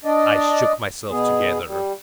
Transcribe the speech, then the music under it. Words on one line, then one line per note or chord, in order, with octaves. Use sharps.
I shook myself together.
D4 D5 D#5
B2 B3 G#4
G3